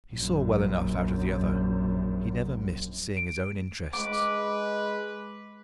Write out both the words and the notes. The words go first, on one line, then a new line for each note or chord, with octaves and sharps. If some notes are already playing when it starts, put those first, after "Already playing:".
He saw well enough out of the other; he never missed seeing his own interests.
A#1 F#2
D7
G#3 B4 D6